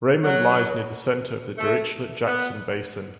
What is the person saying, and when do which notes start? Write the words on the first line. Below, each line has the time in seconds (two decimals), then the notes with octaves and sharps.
Raimond lies near the center of the Dirichlet-Jackson Basin.
0.24 F#3
1.58 A3
2.27 B3